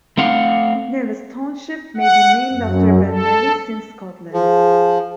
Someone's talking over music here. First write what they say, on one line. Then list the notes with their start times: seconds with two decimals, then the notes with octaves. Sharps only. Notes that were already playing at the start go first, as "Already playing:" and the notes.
Nevis Township may be named after Ben Nevis, in Scotland.
0.18 A3 C4 F5 F#5
1.97 F#5
2.53 F#2
3.06 A4
4.34 F3 G#4